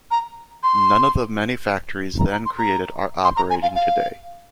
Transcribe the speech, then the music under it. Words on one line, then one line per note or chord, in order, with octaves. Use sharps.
None of the many factories then created are operating today.
A#5
C6
A#5
A#5
C6
A#5
C6
A#5
G#5
F5
F5